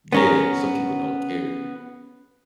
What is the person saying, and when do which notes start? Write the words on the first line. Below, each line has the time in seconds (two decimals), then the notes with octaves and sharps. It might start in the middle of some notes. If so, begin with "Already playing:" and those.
yeah, some people don't care.
0.12 B3 C#4 A#4